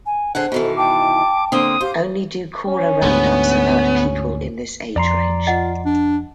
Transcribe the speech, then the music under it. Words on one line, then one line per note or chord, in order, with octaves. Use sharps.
Only do caller round ups about people in this age range.
G#5
D3 G#4 C5 F#5
B2 D#3 E3 A4
G5 A5 D6
D3 A#3 C4 D#6
G4 C5 F5
C#4
D2 G#2 B3
F2 D5 A#5 C6
F4 D#5 F#5
D4